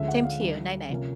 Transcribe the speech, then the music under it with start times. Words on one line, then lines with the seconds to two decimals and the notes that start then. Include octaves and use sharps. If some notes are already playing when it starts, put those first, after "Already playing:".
Same to you, night night.
Already playing: D2 D3 F3 G#3 C#4 E5
0.08 F#5
0.24 F5
0.40 D2 D3 G3
0.90 C3 F3 A#3 C#4